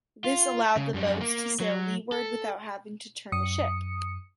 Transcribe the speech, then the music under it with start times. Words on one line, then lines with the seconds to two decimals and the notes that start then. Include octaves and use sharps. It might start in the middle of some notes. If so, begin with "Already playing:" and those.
This allowed the boats to sail leeward without having to turn the ship.
0.24 F4
0.77 C#3
0.94 F#2 G3
1.21 A#3
1.60 F#3
2.12 A4
3.32 F#2 D#6 C#7